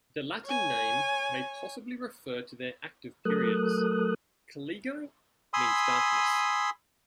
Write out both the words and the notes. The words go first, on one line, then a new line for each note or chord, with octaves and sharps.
The Latin name may possibly refer to their active periods; "caligo" means darkness.
C#5 G#5
F#3 A3 A4 A#4 D#6 F#6
G#5 B5 C6 D#6 E6